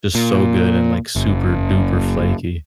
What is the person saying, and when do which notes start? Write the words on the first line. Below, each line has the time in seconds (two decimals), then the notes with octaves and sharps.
just so good and, like, super-duper flaky.
0.15 A#2
1.16 F#1